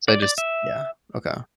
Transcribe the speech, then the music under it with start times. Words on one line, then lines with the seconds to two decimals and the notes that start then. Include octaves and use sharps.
So I just Yeah, okay. I
0.08 D5
0.22 D5
0.38 E5